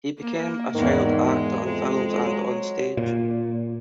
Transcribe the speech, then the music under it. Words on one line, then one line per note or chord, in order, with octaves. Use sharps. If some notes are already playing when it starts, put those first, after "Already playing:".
He became a child actor in films and onstage.
A#3
E2 G#2 D#3
G#3
F2 G#3
F#3
A#2